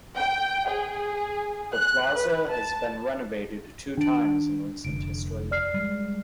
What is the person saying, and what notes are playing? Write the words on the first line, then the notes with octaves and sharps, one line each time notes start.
The plaza has been renovated two times in recent history.
G5
G#4
F#6
B4
A5
D#3 D4 D7
F1 D3 D7
D5 F6 C7
G3 G#3